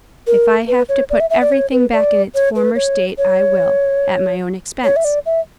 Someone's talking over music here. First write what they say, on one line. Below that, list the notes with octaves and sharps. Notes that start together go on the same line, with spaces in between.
If I have to put everything back in its former state, I will, at my own expense.
A#4
B4
C#5
D5
E5
E5
D5
C#5
B4
D5
C#5
B4
C#5
C#5
C#5
E5
D5
E5